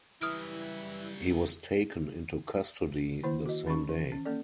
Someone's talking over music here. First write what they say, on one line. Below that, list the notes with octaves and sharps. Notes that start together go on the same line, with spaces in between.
He was taken into custody the same day.
C#3 E3 F#3 G3 E4 D#6 F6 D7
D#3 A#3 E4 C5
F#4 D#5
D#3 C#4 B5 C#6
E3
C#4
A#3 C#4 A4 D5